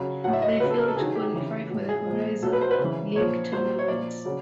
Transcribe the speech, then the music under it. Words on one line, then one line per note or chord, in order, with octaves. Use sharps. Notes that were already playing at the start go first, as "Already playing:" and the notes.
They failed to qualify for the Horizon League Tournament.
Already playing: C#3 F#3
A2 F#3 F#5
E5
D#5
C#3 F#3 B4
A4
A#4
A4
C3 D#3 F#3 G#4
G4
C#3 E3
A2 F#3
G#4
A#2 F3
B2 F#3 A4
B4
C5
B4
C#3
E3
A#2 F3 C#5
A#2 F#3 C5
C#5
A#2 F3 D5
C#3 F#3